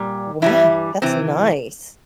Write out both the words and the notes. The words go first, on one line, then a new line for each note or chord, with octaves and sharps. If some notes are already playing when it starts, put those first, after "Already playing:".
Wow, that's nice.
Already playing: A#2 G3
G2 E3 G3 E4
C3 E3 C4